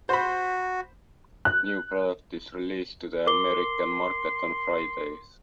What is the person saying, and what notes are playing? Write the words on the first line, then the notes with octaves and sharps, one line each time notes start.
New product is released to the American market on Fridays.
F#4 C5 B5
F#6
A#4 C6 D6 G7